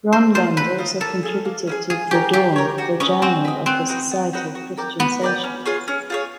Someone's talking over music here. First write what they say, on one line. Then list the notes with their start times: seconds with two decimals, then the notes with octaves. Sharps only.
Gronlund also contributed to "The Dawn", the journal of the Society of Christian Socialists.
0.12 C4 C5
0.34 F4 A#4 C5 D#5
0.57 C4 B4
0.78 F4 A#4 D#5
1.01 A#3 A4
1.23 C#4 E4 G#4
1.45 A#3
1.67 C#4 E4 G#4
1.90 F4 G#4
2.11 G4 A#4 C#5
2.33 F4 G4
2.56 A#4 C#5
2.78 F#4
3.00 C#4 B4 D#5
3.22 C4 F#4
3.45 B4 D#5
3.66 B3 C4
3.89 D#4 F#4 B4
4.11 B3
4.33 D#4 F#4 B4
4.55 F#4
4.77 A#4 D5 G5
4.99 B3 F#4
5.22 A#4 D5 G5
5.44 C#4
5.66 F4 G#4 C#5
5.88 C#4
6.10 F4 G#4 C#5